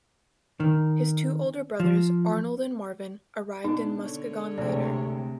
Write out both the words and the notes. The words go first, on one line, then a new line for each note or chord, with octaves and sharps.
His two older brothers, Arnold and Marvin, arrived in Muskegon later.
D#3
F3
B2 D4 D#4
D3 C#5
G#1 D2 G#2 C3 D5